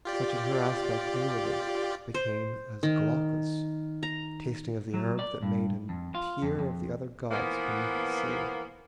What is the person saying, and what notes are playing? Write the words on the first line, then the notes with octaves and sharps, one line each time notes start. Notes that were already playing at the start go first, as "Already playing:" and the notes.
Such at her aspect inwardly became As Glaucus, tasting of the herb that made him Peer of the other gods beneath the sea.
F4 G4 D5
C5
D#3
A#5
F#3
D5
G2
F2
F4
F2
F2
E3 F3 A#3 B3